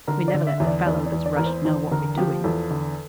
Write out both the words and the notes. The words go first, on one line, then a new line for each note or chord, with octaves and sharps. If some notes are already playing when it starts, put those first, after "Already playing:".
We never let the fellow that's rushed know what we're doing.
D3 A#4
D5
D3
E5
E2 E5
D5
E2 D5
D5
E2
D5
E2 A#4
C5
E2 C5
D3 A#4
F3 G4
E2 A4
D3